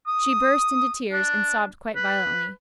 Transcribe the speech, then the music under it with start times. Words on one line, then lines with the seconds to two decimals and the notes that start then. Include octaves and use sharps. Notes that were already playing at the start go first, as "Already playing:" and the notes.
She burst into tears, and sobbed quite violently.
0.07 D#6
1.12 D4
1.95 B4